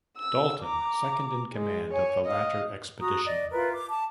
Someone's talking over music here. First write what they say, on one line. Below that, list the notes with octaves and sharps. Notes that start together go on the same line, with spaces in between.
Dalton, second-in-command of the latter expedition.
E6
A#5 D6
G#3
C#5 G#5
D#5 F5
F#4 A#5 D#6
D5 D#5
E4 F4 A#4 B4
D6
A5 D6